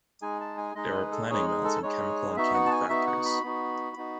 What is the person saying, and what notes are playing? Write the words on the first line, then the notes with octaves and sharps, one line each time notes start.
There were planing mills, and chemical and candy factories.
G#3 D#4 G#4 G#5
A5
G#5
G#3 D#4 G#4 D#5
B4
A4
G#3 D#4 G#4 C#5
G#4
A4
G#3 D#4 G#4 C#5
B3 D#4 F#4 E5
F#5
A5
G#5
B3 D#4 F#4 E5
F#5
B5
B3 D#4 F#4
B3 D#4 F#4